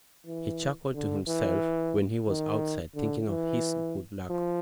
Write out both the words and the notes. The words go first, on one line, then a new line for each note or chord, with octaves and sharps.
He chuckled to himself when he was outside, thinking of his good luck.
E3
D3
E3
D#3
D3
E3
F3